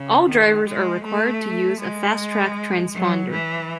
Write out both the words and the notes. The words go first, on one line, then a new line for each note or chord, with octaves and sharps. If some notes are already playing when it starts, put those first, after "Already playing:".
All drivers are required to use a FasTrak transponder.
Already playing: C#3
D#3
G#3
A3
G#3
F#3
E3